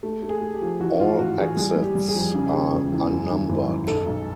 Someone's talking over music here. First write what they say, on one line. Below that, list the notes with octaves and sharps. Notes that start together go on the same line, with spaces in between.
All exits are unnumbered.
A3
A3
G#4
A3
G4
F3
E3 F#4
G#2 F4
A1 F#4
E3 G#4
G3 G#4
G3
G4
G3
G#4
F2
C#3
C#3
E1
E2
F#2
D#3
G#1
F#2
B1 A4
B1